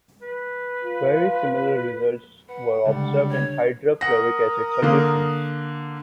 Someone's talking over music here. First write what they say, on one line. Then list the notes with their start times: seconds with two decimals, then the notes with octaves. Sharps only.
Very similar results were observed in hydrofluoric acid solutions.
0.22 B4
0.85 F4
2.49 B4 F#5
2.86 C#2 D3 G3
3.29 C#5
4.01 A#4 F#5 D#6 A#6
4.82 D3 A#3